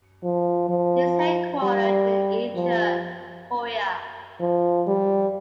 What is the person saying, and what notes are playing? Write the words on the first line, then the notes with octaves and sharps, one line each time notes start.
It is headquartered in Incheon, Korea.
F3
F3
G3
F3
F3
G3